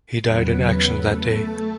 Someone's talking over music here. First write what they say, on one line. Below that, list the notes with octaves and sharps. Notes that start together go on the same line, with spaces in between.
He died in action that day.
E2 C#3 F#3 B3 B4
A3 A4